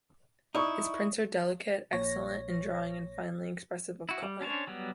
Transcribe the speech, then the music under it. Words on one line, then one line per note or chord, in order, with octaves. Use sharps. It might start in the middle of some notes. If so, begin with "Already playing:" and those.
His prints are delicate, excellent in drawing and finely expressive of colour.
D#4 E4 D5 C#6 D#6
A#1 A#2 C#5 A#6
E4 F#4
G3
C#4 D4 C5 C#5
F#3 G3 B3